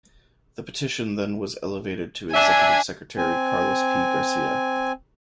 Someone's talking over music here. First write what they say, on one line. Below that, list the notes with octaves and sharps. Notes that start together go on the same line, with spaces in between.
The petition then was elevated to Executive Secretary Carlos P. Garcia.
D4 E5 G#5
C4 G#5